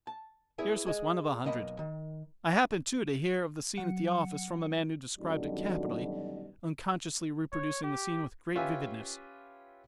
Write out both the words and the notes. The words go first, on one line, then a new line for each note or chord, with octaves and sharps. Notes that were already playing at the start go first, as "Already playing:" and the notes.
Yours was one of a hundred. I happened, too, to hear of the scene at the office, from a man who described it capitally, unconsciously reproducing the scene with great vividness.
A5
E4 G#4 B4
G#4 D#5
B1 A#3 D#5 F#5 B5
D#3
F#3 F#5 C#7
F#2 B2 D3 D#3 F#3 G3
C#5
G4
C#4 F4 G4 B4 E5 G#5